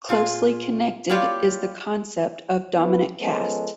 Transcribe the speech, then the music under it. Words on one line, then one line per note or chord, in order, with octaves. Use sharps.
Closely connected is the concept of dominant caste.
A#2 F4 G#4
A#3 E4 F4 G4 C#5 D5
B3 E4 B4
F3 G#3 B3 C#4 A4